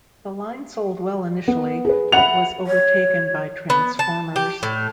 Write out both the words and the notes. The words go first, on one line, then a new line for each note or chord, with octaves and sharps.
The line sold well initially, but was overtaken by Transformers.
B3
G#4 B4
E5 F#5 B5 F7
C#5
B3
A5
G4
A2